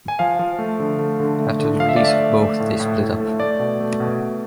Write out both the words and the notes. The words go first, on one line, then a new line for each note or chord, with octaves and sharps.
After the release of both they split up.
G#5
F3 F5
F3
A3
D3
A3
D3
A3
D3
F3 F5
E5
D5
A3 E5
A3
A3
A2
A2
A2
A3
A3 D5
B2
A3
B2
B2